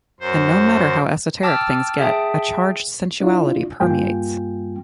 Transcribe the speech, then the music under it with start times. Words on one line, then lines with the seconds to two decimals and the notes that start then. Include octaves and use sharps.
And no matter how esoteric things get, a charged sensuality permeates.
0.20 F#2 C5
1.43 G5 A5 D6 E6 F6 A6
2.00 G#4 E5 G5 A5
3.20 D4 E4 F4
3.80 G2 G3 A#3 F4 G5 G#5